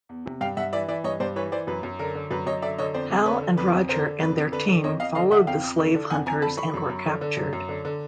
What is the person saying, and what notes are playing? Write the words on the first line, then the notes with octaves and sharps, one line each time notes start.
Hal and Roger and their team followed the slave hunters and were captured.
E2
C3
G2 F5 G5
G2 E5 F#5
E3 D5 E5
E3 D5 E5
G2 C#5 D#5
G2 C5 D5
E3 B4 C#5
E3 C5 D5
F#2 B4
F#2
D3 A#4
D3
F#2 B4
F#2 C#5 D#5
D3 D5 E5
D3 C#5 D#5
F2 C5 D5
F2
D3 B4 C#5
D3
F2 B4
F2
D3 A#4 C5
D3
F2 B4
F2
D3 B4
D3
F2 C#5 D#5
F2 D#5 F5
D3 D#5 F5
D3 E5 F#5
F2 F5 G5
F2
D3
D3
F2 F#5 G#5
F2 G#5 A#5
D3 A5 B5
D3 B5 C#6
F#2
F#2
D3
D3
F#2
F#2
D3
D3